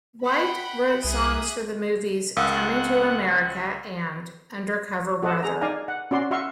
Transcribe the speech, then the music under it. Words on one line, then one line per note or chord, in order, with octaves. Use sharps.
White wrote songs for the movies "Coming to America" and "Undercover Brother".
F#5 G5 B5
C2 G#4 E5 D#6 F#6
C#2 A#4 F5 F#5 D#6
F#4 A4 D#5 F#5 A5
G#4 A#5
D#4 D5 F5 G#5 A#5
F#5
C#4 F#4 D5 C6
F#4 E5 F5 C6 C#6